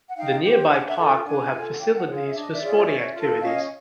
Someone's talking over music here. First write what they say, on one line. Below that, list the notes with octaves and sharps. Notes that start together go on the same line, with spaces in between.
The nearby park will have facilities for sporting activities.
F#5
D#4 F5 G5
G4 C5
G5
D4 F#5 G#5
E5 F#5
F4 A4
D4 F#5 G#5
F4 A4
F#5
D4 F5 G5
E5 F#5
F4 G#4 C#5
F5
E5
D4
D#5
D5 E5
F4 G#4 C#5
C#4
F4 A4
C#4 D#5 F5